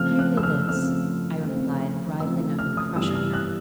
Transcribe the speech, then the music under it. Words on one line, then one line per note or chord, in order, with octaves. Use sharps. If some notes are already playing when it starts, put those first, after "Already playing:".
'Merely this,' I replied, bridling up and crushing her.
Already playing: C#3 F3 A3 C4 F6
F#6
E6
F6
C#3 F3 A3 C4 F6
C#3 F3 A3 C4
C#3 F3 A3 C4 E6
F6
D#6
G2 E3 G3 B3 E6
F6
F#6